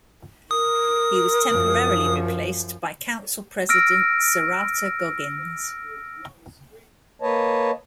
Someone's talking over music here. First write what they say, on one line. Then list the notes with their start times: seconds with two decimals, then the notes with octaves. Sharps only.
He was temporarily replaced by Council President Saratha Goggins.
0.51 A#4 D#6
1.52 F#2 F3
3.69 E6 F6 A#6 D7
7.22 A#3 B4 C#5 D#5 A5